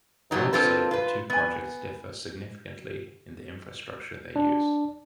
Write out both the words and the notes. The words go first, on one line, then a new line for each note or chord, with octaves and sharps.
Also, the two projects differ significantly in the infrastructure they use.
F2 B2 F#3 D#4
A#3 C4 D4 F4 A4 B4
F4 B4
B3 G#5
D4